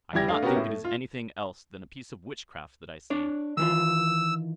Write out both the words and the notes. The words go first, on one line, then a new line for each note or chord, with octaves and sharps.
I cannot think it is anything else than a piece of witchcraft that I see.
E2 G3 E4 G4 G#6 A#6
A3 D4 F5
B3 C#4 F#4 G4 A#4
A2
A3
F4
D4 C#5 D5
D#3 E3 F4 E6